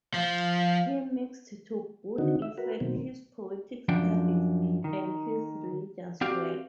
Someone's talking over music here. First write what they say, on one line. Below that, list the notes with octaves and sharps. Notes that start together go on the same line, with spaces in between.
He mixed to good effect his poetic studies and his religious work.
F3
D3 D#3 C4 D#4 F#4
E5
F#4 A#4 B4
B2 D#3 F#3 A#3 C4
F#2 F3 D4 G5
D#3
C4 F#4 G4 D5 F5